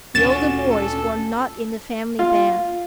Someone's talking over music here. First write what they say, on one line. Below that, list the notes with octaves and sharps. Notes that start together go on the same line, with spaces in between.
The older boys were not in the family band.
D2 A#2 C#4 F#4 A6 E7
A4
F4